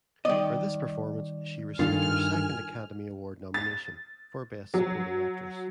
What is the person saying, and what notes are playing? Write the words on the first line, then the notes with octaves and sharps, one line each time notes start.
For this performance, she received her second Academy Award nomination, for Best Supporting Actress.
D#3 G3 D5 D#5
G2 D#3 F4 A4 G#5 F6
A6
F#3